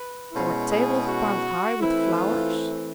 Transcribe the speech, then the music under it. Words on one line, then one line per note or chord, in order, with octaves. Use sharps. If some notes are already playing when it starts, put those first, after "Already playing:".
There were tables piled high with flowers.
Already playing: B4
B2 G#3 C#4 E4 C5
G#4
F#4
E3 A3 C4 E4
F4